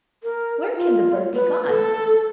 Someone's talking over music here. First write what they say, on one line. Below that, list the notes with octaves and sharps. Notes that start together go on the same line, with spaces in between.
Where can the bird be gone?
A#4
F4
B4
A4